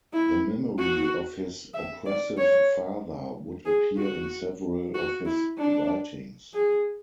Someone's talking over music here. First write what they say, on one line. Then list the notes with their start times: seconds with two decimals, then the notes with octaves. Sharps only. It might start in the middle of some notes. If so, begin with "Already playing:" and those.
The memory of his oppressive father would appear in several of his writings.
0.13 E4
0.78 F#4
1.74 E5
2.06 D5
2.37 C#5
3.65 G#4
3.98 F#4
4.94 F#4
5.26 E4
5.58 D4
6.54 G#4